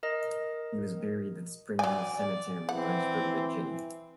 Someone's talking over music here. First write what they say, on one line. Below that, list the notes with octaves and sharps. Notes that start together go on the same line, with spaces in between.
He was buried at Spring Hill Cemetery in Lynchburg, Virginia.
A#4 D#5
F#3 D5 G#5
D5
E3 C4 F#5